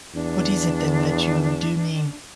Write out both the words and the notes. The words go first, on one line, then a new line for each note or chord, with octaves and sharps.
What is it, then, that you do mean?
E2 D4